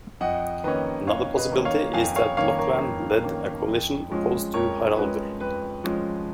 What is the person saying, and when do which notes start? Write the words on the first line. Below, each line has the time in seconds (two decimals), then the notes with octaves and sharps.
Another possibility, is that Lochlann led a coalition opposed to Haraldr.
0.21 F2 D#5 F#5
0.64 D#3 A#3 C#4 B4 D#5
1.07 F2 C#5 F5
1.37 B4 D#5
1.51 D#3 A#3 C#4
1.65 C#5 F5
1.94 F2 F5 G#5
2.16 C#5 F5
2.37 D#3 A#3 C#4 C#5 F5
2.59 A#4 C#5
2.81 F2
3.24 D#3 A#3 C#4
3.68 F2
4.11 F3 G#3 C#4
4.54 F2 A#4 C#5
4.98 F3 G#3 C#4 B4
5.41 F2 B4
5.84 F3 G#3 C#4